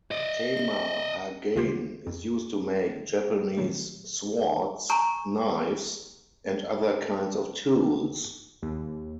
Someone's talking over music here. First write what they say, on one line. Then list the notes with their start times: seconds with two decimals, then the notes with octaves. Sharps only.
Tamahagane is used to make Japanese swords, knives, and other kinds of tools.
0.11 D5 D#5
1.55 D2 C#3 G3 F4 G4 C5
2.07 F2
3.57 A#2 D#3 F#3 A3
4.90 G#5 A#5 C#6
8.63 D#2